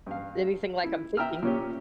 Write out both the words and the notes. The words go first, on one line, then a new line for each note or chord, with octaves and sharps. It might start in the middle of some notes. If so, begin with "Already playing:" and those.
anything like I'm thinking
G2 F5
E4
E5 G5 A#5 E6 F6
A#2 C#4 G4